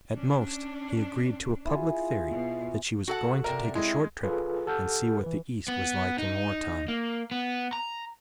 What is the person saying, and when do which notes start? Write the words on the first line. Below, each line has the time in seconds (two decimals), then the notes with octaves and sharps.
At most he agreed to a public theory that she was "going to take a short trip and see what the East was like in wartime."
0.15 C#4 D4
1.65 E4 F4 G#4
2.27 B2
3.08 F#4 A4 F#5
3.44 C3 A#4 D5 E5
3.75 G#3 E4
4.23 F4 G#4 A4 B4
4.66 G4 A4 F#5 F6 G6
5.24 E3 B4
5.68 B3
6.19 D#4
6.88 A#3
7.31 B3
7.73 A#5